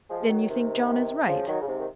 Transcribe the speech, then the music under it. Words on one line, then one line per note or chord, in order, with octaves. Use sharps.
"Then you think John is right?"
F3 G#3
G#3
D#3 F#3
C3 D#3
C#3 F3
D#3 F#3
C#3
G#2 C3
D#3